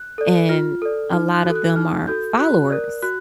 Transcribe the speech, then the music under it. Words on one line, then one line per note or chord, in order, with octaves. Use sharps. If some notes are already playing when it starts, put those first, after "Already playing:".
and a lot of them are followers,
Already playing: F#6
A4 D5
F4 F6
A4 D5
D#4 F6
F#6
F#4
A4
F#6
D#4 F6
F#4 A4 G6
F#4 F#6
A#4 D5
F#4 F#6